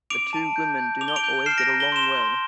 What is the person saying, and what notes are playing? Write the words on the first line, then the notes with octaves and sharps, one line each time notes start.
The two women do not always get along well.
D6 D7 F7
A5
G6
G6
D6 F7
G7
D7 F7
G6
F6 C7 E7
A#6 D7
A#5
G7
C6 E7 G7
C6